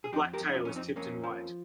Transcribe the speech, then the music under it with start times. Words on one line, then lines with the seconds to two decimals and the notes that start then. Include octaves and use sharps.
The black tail is tipped in white.
0.04 G#4
0.13 F2 D#4 G4
0.33 G4 A#4
0.40 F2
0.47 D#4
0.54 C#4 F4
0.65 F2 C#4
0.76 C4 D#4
0.96 F2 A#3 C#4
1.24 F3